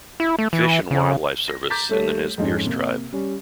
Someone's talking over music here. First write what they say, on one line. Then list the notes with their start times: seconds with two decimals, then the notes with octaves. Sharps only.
Fish and Wildlife Service and the Nez Perce Tribe.
0.20 E4
0.39 A3
0.53 E3
0.91 C#3
1.48 A#6
1.70 A#5 D6 G6 A6 B6
1.89 G3 A3 A4 C#5
2.38 F2 G#2 C#4
2.64 C3 A#3
3.13 G3 C#4